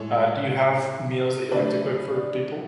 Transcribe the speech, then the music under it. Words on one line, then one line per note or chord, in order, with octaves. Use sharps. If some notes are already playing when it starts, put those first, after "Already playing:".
uh, do you have meals that you like to cook for people?
Already playing: A2 G#3 A4 C#5
D3 F#3 A3 B4 D5